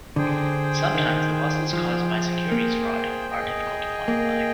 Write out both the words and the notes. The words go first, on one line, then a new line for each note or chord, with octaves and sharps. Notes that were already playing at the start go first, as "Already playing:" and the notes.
Sometimes the losses caused by securities fraud are difficult to quantify.
D3 G#4 C5 G5
D#3
F3
A#3
G#4 D#5 G5
A#3